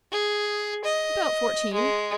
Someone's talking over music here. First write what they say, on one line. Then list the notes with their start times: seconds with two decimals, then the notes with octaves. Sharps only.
"About fourteen."
0.12 G#4
0.85 D#5
1.74 G#3